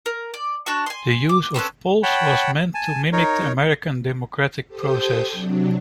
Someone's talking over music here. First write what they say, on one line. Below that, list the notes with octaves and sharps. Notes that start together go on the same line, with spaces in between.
The use of polls was meant to mimic the American democratic process.
A#4
D5
D4 F#4 C#6
G#5 C6
D6
C4 C#4 A4 B4
C#5 F#5 G5 A5 B5
G#5 A5
D#4 A#4 C#5
G4 A4 C5 D#6 G6
C3 F#3 D4